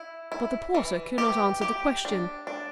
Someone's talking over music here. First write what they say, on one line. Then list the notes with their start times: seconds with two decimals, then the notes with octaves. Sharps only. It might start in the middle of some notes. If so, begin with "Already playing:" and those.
But the porter could not answer the question.
Already playing: E4
0.32 E4
0.75 E3
1.18 G4
1.61 G4
2.05 D4
2.47 D4